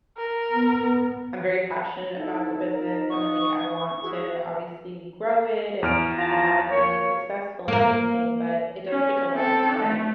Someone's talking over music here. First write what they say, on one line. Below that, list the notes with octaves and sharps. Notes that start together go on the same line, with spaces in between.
I'm very passionate about the business, and then, like, I want to, obviously, grow it and and have it be successful and everything, but it does take a lot of time.
A#4
B3
D#4 E4 A4
A#4
F#5 C#6 D#6
E4 F#4 G#4
E2 F6 D7
F4 A5 A#5
A#3 C#5
A#3 A#4
C#4
C4 A4
A3